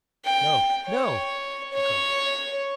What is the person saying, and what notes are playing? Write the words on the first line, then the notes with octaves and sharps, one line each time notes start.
"No, no," she cried.
G5
C#5
C#5